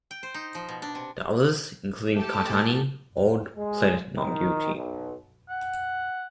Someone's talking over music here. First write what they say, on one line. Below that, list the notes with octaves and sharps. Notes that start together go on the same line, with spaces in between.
The others, including Kaitani, all pleaded not guilty.
G5
C5
D#4
F3
B2
D4
C3
A3 G4 A4 A5
A2 G#4
G#3
D#3
B1
F#5